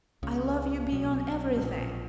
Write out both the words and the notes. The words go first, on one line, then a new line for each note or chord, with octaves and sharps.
I love you beyond everything....
C#2 C#3
B1 B2
B2
A#1 A#2